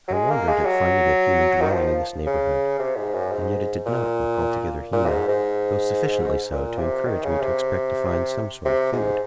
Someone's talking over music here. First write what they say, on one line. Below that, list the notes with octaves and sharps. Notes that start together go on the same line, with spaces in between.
I wondered at finding a human dwelling in this neighbourhood; and yet it did not look altogether human, though sufficiently so to encourage me to expect to find some sort of food.
F#3
G#3
A#3
G#3
F#3
D#3
F3
C#3
C3
G#2
F#2
G#2
A#2
A#2
F#2
G#2
G#2
A#2
C3
D#3
C#3
C3
C3
G#2